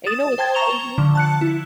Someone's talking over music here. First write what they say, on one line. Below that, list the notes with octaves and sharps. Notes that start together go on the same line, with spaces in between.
And you know what's crazy?
D#6 A6 E7
C5 G5 A5 G#6 A6
A#5 C#6 E7 F7 G7
D3 F3
A5 F#6 C#7
E4